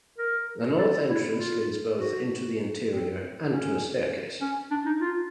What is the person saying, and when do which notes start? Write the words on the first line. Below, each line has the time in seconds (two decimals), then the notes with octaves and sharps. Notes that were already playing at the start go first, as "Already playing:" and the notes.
The north entrance leads both into the interior and to a staircase.
0.18 A#4
0.79 A4
1.09 E4
1.39 F4
1.99 F#4
2.90 C4
3.50 C#4
4.41 C#4
4.71 D4
4.86 D#4
5.01 F4